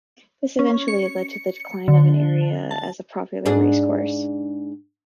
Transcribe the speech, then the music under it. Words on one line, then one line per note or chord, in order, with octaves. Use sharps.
This eventually led to the decline of the area as a popular racecourse.
C#4
C#7
D3
A5
G#2 D4 G#4